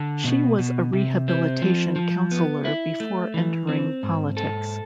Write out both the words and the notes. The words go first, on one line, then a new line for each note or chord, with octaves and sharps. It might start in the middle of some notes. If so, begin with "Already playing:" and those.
She was a rehabilitation counsellor before entering politics.
Already playing: D3
B2
B2
C3
C4
F3
F3
B3
E4
A3
E3
C4
G#2
A4